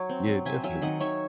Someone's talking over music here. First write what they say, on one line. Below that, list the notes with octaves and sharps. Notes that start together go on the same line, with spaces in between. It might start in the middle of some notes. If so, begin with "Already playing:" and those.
Yeah. Definitely.
Already playing: F#3 C#5
C4
F#3
C4 E5 G#5
F#3 E5 G#5
D#3 D#5 F#5
D#3 C#5 E5